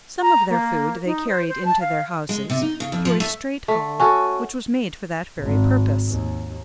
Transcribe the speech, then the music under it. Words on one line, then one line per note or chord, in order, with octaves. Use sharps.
Some of their food they carried into their houses through a straight hall which was made for that very purpose.
A#5
A#3
D#4
C5
C5
A5
F5
G#3
C3
D#4
C#3
F2
F3
A3
A3
C#4 F#4 A4
G#1
D#2